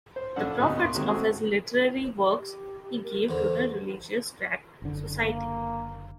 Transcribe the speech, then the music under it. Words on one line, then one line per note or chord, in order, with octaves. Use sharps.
The profits of his literary works he gave to the Religious Tract Society.
C5
A#1 C#4 D4 A4 F#5
D2 C3 B3 D#4 D#5 F#6
A#3 B3 C6 C#6
C3 D#3 F#3 G#3 A#3
G#3 A3 C4 F#4 G#4 A4
G4
A#4
E2 D3 C5
F#1 D3
A#3